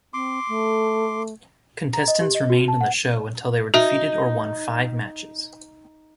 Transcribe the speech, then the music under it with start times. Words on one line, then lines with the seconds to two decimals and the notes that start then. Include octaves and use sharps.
Contestants remained on the show until they were defeated or won five matches.
0.14 C4 C6 D6
0.48 A3
1.93 A#5
2.08 D#5
2.21 G4
2.35 D#5
2.50 F#4
2.68 A5
2.81 F#5
3.74 D#4 F#4 E5